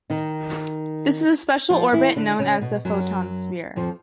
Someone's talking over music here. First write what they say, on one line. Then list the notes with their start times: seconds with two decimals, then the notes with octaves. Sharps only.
This is a special orbit known as the photon sphere.
0.10 D#3 D#4
1.70 F3 F4
1.93 E3 E4
2.16 D3 D4
2.39 C#3 C#4
2.61 B2 B3
2.85 F#2 F#3
3.76 F2 F3